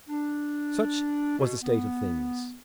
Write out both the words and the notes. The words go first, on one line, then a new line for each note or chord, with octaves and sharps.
Such was the state of things.
D4
B2
B3